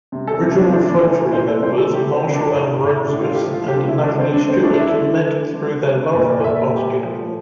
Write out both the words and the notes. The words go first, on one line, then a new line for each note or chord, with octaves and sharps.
Original Floetry members Marsha Ambrosius and Natalie Stewart met through their love of basketball.
C3
A4
C3 E4
D4
C4
A3 D4
D4
E3
A#4
C3 C5
A4
C3 C5
A4
A3 G4
C4
F3
D4
A2
A2
D4
A3 E4
F4
G4
F3
F4
G4
D3 F4
E4
A3 D4
C4
D3 D4
C4
A3 D4
D4
E4
D3
A3
D3
A3
A#2 A#4
D5
A#2 E5
E5
A3 G4
F3